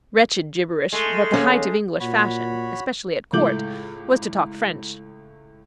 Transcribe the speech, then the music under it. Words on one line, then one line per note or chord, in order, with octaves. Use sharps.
Wretched gibberish; but the height of English fashion, especially at court, was to talk French.
G#3 A3
D#2 C#4
A#2 F#4 C#5 B5
C#2 A2 A3 D6 G6 F#7